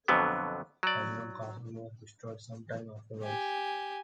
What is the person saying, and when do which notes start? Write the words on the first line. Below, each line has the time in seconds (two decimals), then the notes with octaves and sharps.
Dundrum Castle was destroyed sometime afterwards.
0.08 F2 B2 D3 F#3 B3
0.83 F#3 D5
3.23 G4 G#5